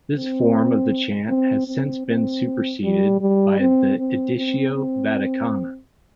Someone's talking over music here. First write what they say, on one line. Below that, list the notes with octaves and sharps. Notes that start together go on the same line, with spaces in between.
This form of the chant has since been superseded by the Editio Vaticana.
C4
C4
C4
C4
G3
G3
C4
C4
C4
C4